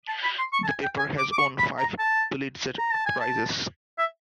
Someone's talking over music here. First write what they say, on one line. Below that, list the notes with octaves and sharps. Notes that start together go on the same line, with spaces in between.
The paper has won five Pulitzer Prizes.
A5
B5
C6
C#6
A5
G#5
G5
G#5
D6
D6
C#6
B5
A#5
A5
A#5
A5
G#5
A5
E5